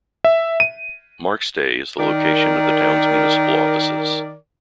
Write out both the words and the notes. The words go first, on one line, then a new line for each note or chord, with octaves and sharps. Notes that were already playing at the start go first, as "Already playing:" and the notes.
Markstay is the location of the town's municipal offices.
E5
D#7
D#3 A#4 D5